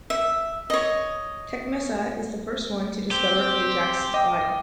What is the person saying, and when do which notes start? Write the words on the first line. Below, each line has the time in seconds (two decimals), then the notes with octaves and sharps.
Tecmessa is the first one to discover Ajax's body.
0.10 E5
0.70 C#5 D#5
3.12 C4 G4
4.14 D#5 G5 D6